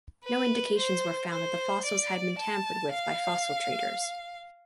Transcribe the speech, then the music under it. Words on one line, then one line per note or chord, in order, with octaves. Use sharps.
No indications were found that the fossils had been tampered with by fossil traders.
B4
C5
C5
D5
A5
F5